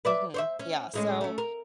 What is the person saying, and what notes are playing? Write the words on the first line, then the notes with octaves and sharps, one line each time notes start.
Mhm, yeah, so
B4 D5 E5
C5 C#5 E5
C#4
A2 G#3 C#4
A3 C#4
A#4